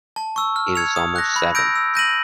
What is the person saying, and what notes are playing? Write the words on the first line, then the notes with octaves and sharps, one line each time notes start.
It’s almost seven.
A5
C#6 E6
F6
G#6 C#7 F7
D#6
F#6 A#6
B5
E6 G6 A#6 D7
E6
G6 A#6 D#7 F#7